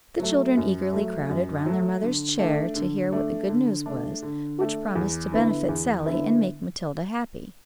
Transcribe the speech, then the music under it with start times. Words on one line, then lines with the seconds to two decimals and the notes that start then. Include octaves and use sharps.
The children eagerly crowded round their mother's chair, to hear what the good news was, which promised to benefit Sally, and make Matilda happy.
0.20 F#3 A3
0.57 F#2
0.93 F#3 A3
1.29 F#2
1.66 F#3 A3
2.03 D3
2.39 A3 D4
2.76 D3
3.12 A3 D4
3.49 D3
3.86 A3 D4
4.23 D3
4.59 A3 D4
4.95 E2
5.32 D3 B3 E4
5.69 E2
6.05 D3 B3 E4